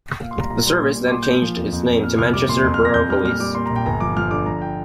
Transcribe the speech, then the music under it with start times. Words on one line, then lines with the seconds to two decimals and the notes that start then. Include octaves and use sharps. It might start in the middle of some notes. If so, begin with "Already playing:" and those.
The service then changed its name to Manchester Borough Police.
0.20 A#2 F5
0.31 C6
0.36 G3 A#5
0.50 A#1 A#5
0.66 G3 C6
0.82 A#2
0.96 A#2
1.08 D6
1.11 A#2 C6
1.23 G6
1.27 A#2
1.42 F3
1.57 F2
1.73 F2
1.87 F2
2.03 A#2 F6
2.18 C2 F6
2.34 G3 D6
2.49 A#2 C6
2.64 F2 C6
2.74 F6
2.79 F2
2.85 A#6
2.94 F2 G6
3.09 G3 F6
3.25 A#2 F6
3.40 G3 D6
3.55 A#2 C6
3.66 A#5
3.71 A#1
3.76 G5
3.86 G1 A#5
4.00 F3 D6
4.17 F3 F6
4.31 D3 D6
4.46 F3 A#5
4.62 G5